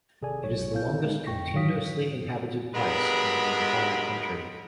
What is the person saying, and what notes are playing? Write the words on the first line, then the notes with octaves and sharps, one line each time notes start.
It is the longest continuously inhabited place in the entire country.
G#1 C3 G#4 A4 D5 G#5
B1 C#5
A#1 B3 A4 F5 G6
G#3 D#4
G1 F2 G5 C#6 A#6
G#2 E3 F#3 F5 D#6 B6
G2 F#3 G#3 B3 A#4 B5